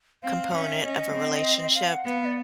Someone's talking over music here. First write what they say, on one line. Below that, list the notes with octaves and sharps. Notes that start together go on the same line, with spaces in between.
component of a relationship,
C4 F5
C#4 E5
C#4 D#5
C4
F5
F#5
B3 F5
D5